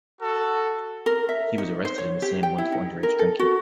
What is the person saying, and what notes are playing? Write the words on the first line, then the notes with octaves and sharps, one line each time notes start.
He was arrested in the same month for underage drinking.
F#4 A4
A#4
E5
D#4
C5
C#5
G4
G5
E4
D#4
A#4
A4
F#4